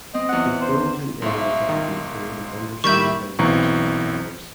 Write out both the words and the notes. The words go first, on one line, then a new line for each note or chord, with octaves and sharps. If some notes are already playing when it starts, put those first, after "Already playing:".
It grows in areas that have been cleared of understory vegetation by fires.
C4 D#5
E2 F#5
C5
B1 G#2 C5 E5 C#6
D#3
D#3 G3 A#3 E5 B5 C#6 G6 E7
B1 E3 C4 A#5 C#6